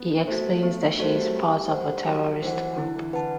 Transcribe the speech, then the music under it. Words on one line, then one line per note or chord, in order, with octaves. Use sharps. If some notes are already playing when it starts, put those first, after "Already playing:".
He explains that she is part of a terrorist group.
Already playing: B3
A3 F#4 C5
F#3 B3
A3 F#4 C5
G3
F#3
G3 G4
C5 F#5
F#3 G4
E3 C5 F#5
D3 E4
E3
D3 B4 F#5 A5